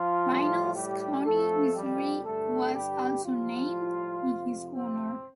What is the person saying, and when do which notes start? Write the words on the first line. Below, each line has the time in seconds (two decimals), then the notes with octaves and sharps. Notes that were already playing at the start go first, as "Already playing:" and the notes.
Reynolds County, Missouri was also named in his honor.
Already playing: F3 F4
0.25 A2 G3
0.75 G3 G4
1.24 F2 F3 A3 A4
1.74 G3 G4
2.24 G2 D3 G3 A3 A4
2.74 G3 G4
3.24 A2 F3 G3 F4
4.23 F2 C3 F3
4.73 C4